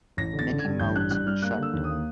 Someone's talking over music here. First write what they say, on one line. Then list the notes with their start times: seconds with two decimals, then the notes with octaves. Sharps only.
Many Mouths Shut!
0.17 A1 A#6
0.33 D3
0.39 A6
0.50 D3
0.59 G#6
0.65 G2
0.79 A1 G6
0.96 G2 F#6
1.11 G2 F#6
1.27 G3 F6
1.42 A#3 F#6
1.58 D3 E6
1.73 D#2
1.84 D#6
1.89 A#3